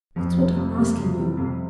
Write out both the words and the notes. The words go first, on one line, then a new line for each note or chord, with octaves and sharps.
That's what I'm asking you!
F2 F3
C3 G3
F2
C3 G3
F2 C#3
C3 G3
F2 C3
C3